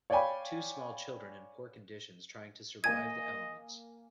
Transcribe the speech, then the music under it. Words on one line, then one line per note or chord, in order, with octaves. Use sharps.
Two small children in poor conditions trying to survive the elements.
C#5 D5 F5 G5 G#5 B5
A#3 D#5 G#5 G#6 D#7